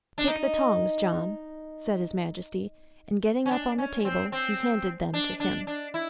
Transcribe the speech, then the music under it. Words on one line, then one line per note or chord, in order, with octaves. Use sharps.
"Take the tongs, John," said his Majesty; and getting up on the table, he handed them to him.
D4
D#4
C#4
D4
C#4
C4
C4
D4
D4
D4
E4